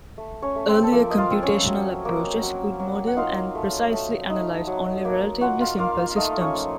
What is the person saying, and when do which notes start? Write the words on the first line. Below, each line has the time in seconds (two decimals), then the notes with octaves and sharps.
Earlier computational approaches could model and precisely analyze only relatively simple systems.
0.18 A3
0.42 C#4 C#5
0.56 A3
0.67 C4 C5
0.82 A4
0.92 F3 A#3 A#4
1.10 D#5
1.17 F4 F5
1.30 C4
1.43 C#4 C#5
1.68 F#3
2.05 A#3
2.43 F#3
2.80 F#3
3.07 F#5
3.17 D#4 F4 F5
3.55 A3
3.92 A3
4.30 D#4
4.67 F#3
5.05 A#3
5.41 F4 F#4 F#5
5.60 F4 F5
5.78 A#3 F4 F5
5.97 F4 F5
6.11 F5
6.16 A3 D#4 D#5
6.41 C#4 C#5
6.54 F3